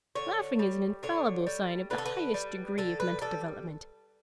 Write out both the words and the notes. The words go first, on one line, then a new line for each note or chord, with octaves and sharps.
Laughing is an infallible sign of the highest degree of mental development.
D3 C#5
G3
D3 C#5
G3
D3 B4
A4
B4
G3
D3 A4
B4
G3 A4